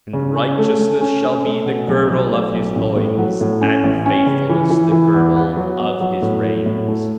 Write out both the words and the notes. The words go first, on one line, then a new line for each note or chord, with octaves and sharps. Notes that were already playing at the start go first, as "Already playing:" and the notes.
And righteousness shall be the girdle of his loins, and faithfulness the girdle of his reins.
C#3
C#4
A3
A3
C#4
C#4
A3
B2
B1
B1
A3
B1
A1
A2
F#3
A2
C#4
A1
C#4
C#3
E3
E3
E3
E2
B3
F#3
B3
F#3
A2
F#3
A2
A3